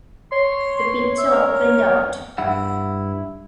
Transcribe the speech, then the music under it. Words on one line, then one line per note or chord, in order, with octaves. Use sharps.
The picture opened out.
C#5 C6
C6
E5
A#4
G2 E4 F#5